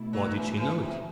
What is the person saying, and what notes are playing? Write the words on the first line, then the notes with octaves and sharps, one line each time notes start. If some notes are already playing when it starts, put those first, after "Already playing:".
Why did she know it?
Already playing: B2 A3 E4
F#3
E3
E3
C3